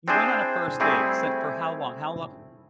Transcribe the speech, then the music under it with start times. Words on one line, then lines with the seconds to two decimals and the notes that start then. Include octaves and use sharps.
you went on a first date sent for how long? How lon
0.08 C4 D4 E4 G#4 C5
0.80 G3 A3 C4 E4 G#4